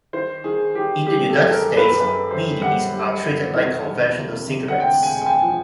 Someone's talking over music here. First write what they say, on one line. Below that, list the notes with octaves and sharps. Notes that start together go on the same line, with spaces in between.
In the United States, beedies are treated like conventional cigarettes.
D#3 C5
D#3 G#4
D#3 G4
G3 G4
A4
F#2
A4
A#4
F#2
B4
F#2 B4
F#2 C5
G3 F#5
G3
F#2
D#3
E1
C3
C3
F#5
D2 G5
G#5
E1
G5
G#5
F3